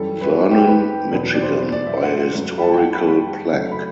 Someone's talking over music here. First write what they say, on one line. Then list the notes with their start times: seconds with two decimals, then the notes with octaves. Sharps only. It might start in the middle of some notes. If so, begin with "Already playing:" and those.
Vernon, Michigan, by a historical plaque.
Already playing: F#2 E3 G3 A4
0.21 B4
0.51 G4
0.67 B4
1.12 E2 B2 F#3
1.34 D5
1.42 C5
1.72 D5
1.87 E5
2.03 F#5
2.33 F#2 F#3 A3
2.58 B5
2.62 A5
2.74 G5
2.78 F#5
2.93 B5
3.08 B5
3.53 F#1 F#2 F#3 A3
3.72 B5